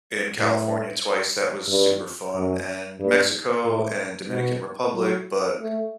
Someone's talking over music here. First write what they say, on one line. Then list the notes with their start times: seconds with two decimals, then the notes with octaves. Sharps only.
in California twice, that was super fun, and Mexico and Dominican Republic, but
0.38 A2
1.69 G2
2.35 F#2
2.99 G2
3.65 A2
4.29 B2
4.94 F#3
5.60 A3